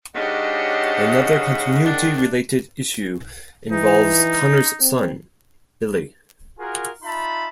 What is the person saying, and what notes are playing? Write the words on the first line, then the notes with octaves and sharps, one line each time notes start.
Another continuity-related issue involves Connors' son Billy.
G#2 C#3 C#4 D4 G4 D#5 F#5
G#2 D#3 D4
E3 D#4
C4
F4 F#4 G#4 A#4
D#4 F4 E5 A5 B5